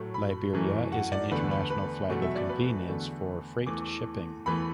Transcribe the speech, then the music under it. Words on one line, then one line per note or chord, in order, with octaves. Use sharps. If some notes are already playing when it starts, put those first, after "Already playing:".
Liberia is an international flag of convenience for freight shipping.
Already playing: A2 F#3 A3
B5
F#2 E3 A3
F#5
D5
E2 D3 A3 B4
B4
B4
E2 B2 F#3 A3
E5
D5
B4
E2 D3 A3
E2 E3 A3 D6
E2 E3 A3 B5